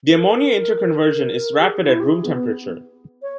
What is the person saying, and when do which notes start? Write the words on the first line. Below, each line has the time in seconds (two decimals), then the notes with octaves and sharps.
The ammonia interconversion is rapid at room temperature.
0.07 A#4
1.59 G4
1.65 G#4
1.85 E4
2.00 G4
2.04 G#4
2.24 B3
3.22 C#5